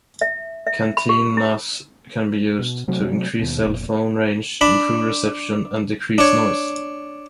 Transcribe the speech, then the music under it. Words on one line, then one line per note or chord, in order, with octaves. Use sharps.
Cantennas can be used to increase cell phone range, improve reception, and decrease noise.
E5
E5
B5
G4
E4
B2
C3 F#3 A3
D#2 B2
F1 A#2
D4 B5
D4 C#5